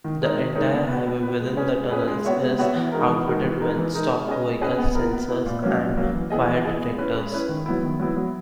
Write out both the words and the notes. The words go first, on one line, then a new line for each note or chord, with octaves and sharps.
The entire highway within the tunnels is outfitted with stopped-vehicle sensors and fire detectors.
D#3
G#3 D#4 A#4 C#5
D#3
G#3 D#4 A#4 C#5
B3
F#4 B4
B3
F#4 B4
G#3
C#4 G#4 B4
G#3
C#4 G#4 B4
G#3
B3 F#4 C#5 E5
G#3
B3 F#4 C#5 E5
E3
G#3 D#4 F#4 A#4
E3
G#3 D#4 F#4 A#4
E3
G#3 D#4 A#4
E3
G#3 D#4 A#4
G#3
C#4 G#4 B4 D#5
G#3
C#4 G#4 B4 D#5
B3
E4 A#4
B3
E4 A#4
A#2
F#3 A#3 C#4
A#2
F#3 A#3 C#4
E3
B3 E4 G#4 D#5
E3
B3 E4 G#4 D#5
G#3
C#4 E4 B4
G#3
C#4 E4 B4
D#3
F#3 B3 E4
D#3
F#3 B3 E4
F#3